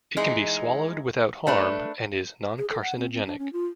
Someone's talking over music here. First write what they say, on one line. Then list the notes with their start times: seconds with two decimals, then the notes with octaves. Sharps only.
It can be swallowed without harm and is noncarcinogenic.
0.17 E3 G#3 D#4
1.47 A3 D4 B4
2.58 G#4
2.70 A4
2.82 F#5
2.97 C4
3.12 C4
3.26 D4
3.39 C#4
3.53 F4